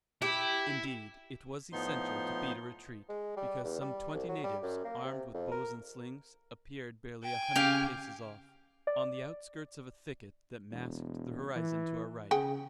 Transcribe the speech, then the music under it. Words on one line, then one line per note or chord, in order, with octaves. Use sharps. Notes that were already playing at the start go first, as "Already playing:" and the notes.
Indeed, it was essential to beat a retreat because some twenty natives, armed with bows and slings, appeared barely a hundred paces off, on the outskirts of a thicket that masked the horizon to our right.
E4 G4
A2 F3 B3 D#4 C6
G#3
G3
E2
G3
C2
F#3
G3
F#2
A#3
C3
F2
A#4
G5 G#5
C#3 G4 F5
D5
E1
E3
C#3 G#4 F#5 G5